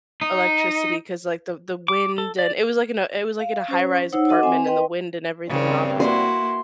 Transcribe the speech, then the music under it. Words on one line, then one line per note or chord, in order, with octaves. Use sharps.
electricity 'cause, like, the the wind and it was, like, in a it was, like, in a high rise apartment, and the wind and everything knocked
D#4
D6
A4
D5
F5
C#4 C5
D#4 C5 C#5 F#5 E6
F#4 A4 D#5 F#5 D6
C4 C5 G#5
B4 D#5 G5 C6
G2 C#3 C4 A#4 D5
A#3 E4 F#4 C6